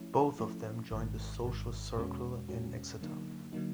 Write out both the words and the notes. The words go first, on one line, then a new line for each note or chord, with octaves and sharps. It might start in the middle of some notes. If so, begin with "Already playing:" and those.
Both of them joined the social circle in Exeter.
Already playing: F3 A3 C#4 E4
F3 A3 C#4 E4
G#1 G#2 D#3
G#1 G#2 D#3
E2 B2 G#3 C#4 F#4
E2 B2 G#3 C#4 F#4
D3 F#3 A#3 D#4
D3 F#3 A#3 D#4